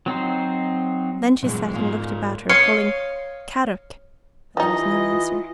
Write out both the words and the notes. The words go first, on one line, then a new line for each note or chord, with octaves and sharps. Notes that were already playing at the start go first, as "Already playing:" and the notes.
Then she sat and looked about her, calling "Kadok!" but there was no answer.
F#3 C4 D#4 C5
A#2 F#3 G#3
G#2 F4
C#5 D#5 F5 C6
E3 G3 D#4 F4 D#5